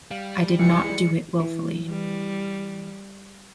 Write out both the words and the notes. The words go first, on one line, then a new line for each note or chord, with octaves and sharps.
I did not do it wilfully.
G3 D5 F5
C#2 E3 C7 C#7
G#3 E4 D5
E3
G3